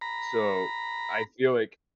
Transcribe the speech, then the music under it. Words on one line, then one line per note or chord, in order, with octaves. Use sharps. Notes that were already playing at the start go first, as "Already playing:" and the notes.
So, I feel like
A#5 B5